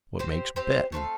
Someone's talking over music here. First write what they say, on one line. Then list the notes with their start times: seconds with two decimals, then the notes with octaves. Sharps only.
What makes bettin'?
0.19 C4 G4 C5
0.56 C4 G4 C5
0.92 A3 C4 A4 F5